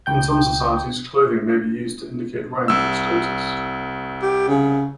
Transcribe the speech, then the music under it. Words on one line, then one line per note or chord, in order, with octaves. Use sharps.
In some societies, clothing may be used to indicate rank or status.
C#2 G5 G6
C2 E6
G4
C#3